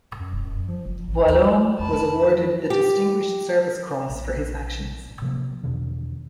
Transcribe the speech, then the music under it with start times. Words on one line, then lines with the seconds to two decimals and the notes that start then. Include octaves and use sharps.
Voillaume was awarded the Distinguished Service Cross for his actions.
0.19 F#2
0.33 E1
0.45 F#2
0.68 F3
0.86 F#1
1.07 A1
1.25 D#2
1.79 F2 C3 A5 B5
2.70 G4
4.09 A#1
5.22 C3 F3 A#3
5.63 E2 B2 D3 D#3